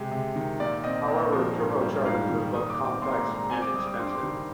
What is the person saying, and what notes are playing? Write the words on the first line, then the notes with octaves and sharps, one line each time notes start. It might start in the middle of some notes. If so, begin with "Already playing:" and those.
However, turbochargers are both complex and expensive.
Already playing: C3 G#3 G4
C3
D#3
A#2 D5
C4 D#5
A#2
F3
G#2
G3
G#2 F5
D#3
A#2 D#6
D6
C4
D6
A#2 C6
A#5
C6
G#3
A#5
C4 G#5
D6
G3 D#6
D6
G2 C6
D6
C6
D#3